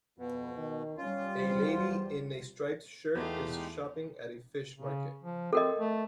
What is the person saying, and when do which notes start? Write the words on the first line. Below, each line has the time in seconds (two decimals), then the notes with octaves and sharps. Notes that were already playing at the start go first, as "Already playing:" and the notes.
A lady in a striped shirt is shopping at a fish market.
0.18 F2 B2 B3
0.57 D#3
0.98 G3 C#4 F4
1.38 E2 C5
3.15 E2 G#3 A3 B3 D#4 G4 F5
4.76 C#3
5.23 F3
5.53 C4 A4 A#4 D#5
5.78 A3